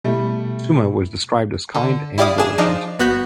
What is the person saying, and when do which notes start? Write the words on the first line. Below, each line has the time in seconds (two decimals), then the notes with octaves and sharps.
Suma was described as kind and diligent.
0.04 B2 G3 A3 E4
1.75 D3
2.18 E4 G4 D5 F5 D#6
2.38 D4 G#4 E7
2.58 F3 D4 D#4
2.99 G1 B3 F#4 F#5 G6 B6